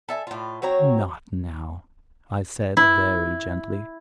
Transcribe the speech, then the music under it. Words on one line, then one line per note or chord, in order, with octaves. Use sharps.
"Not now," I said very gently.
A4 E5 G#5
A2 F4
F#3 C4 C#5 A#5
E4